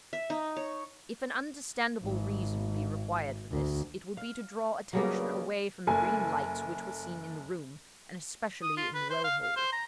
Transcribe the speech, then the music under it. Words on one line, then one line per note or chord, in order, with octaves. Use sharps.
If an understandable reason be required for this, it would be to draw attention away from the green lights which were seen in the room, and especially in the well-hole.
E5
D#4
C#5
G#1
D2
F5
C#2 G2 C#3 F#3 G3 A#3
F#1 A4 G#5
D#6
F4
B4
C5
F5
F5
C5
A#5